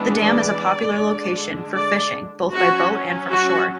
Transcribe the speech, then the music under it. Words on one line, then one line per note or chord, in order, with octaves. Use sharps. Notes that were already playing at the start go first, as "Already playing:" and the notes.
The dam is a popular location for fishing, both by boat and from shore.
Already playing: E3 G#3 B3 D4
D5
D3 G#3 D4
D5
F#3 C#4 F#4
F#4